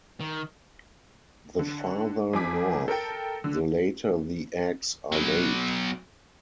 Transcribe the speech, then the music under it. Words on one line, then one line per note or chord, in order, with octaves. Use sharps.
The farther north, the later the eggs are laid.
D#3
D3
F2 G#5 D6 B6
A4 A#4 G5
D3
B2 F#3